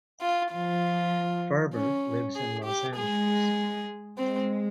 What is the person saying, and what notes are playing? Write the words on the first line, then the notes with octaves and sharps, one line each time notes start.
Farber lives in Los Angeles.
F4
F3 F4
C#4
G#4
G4
G#3 G#4
G#3 C4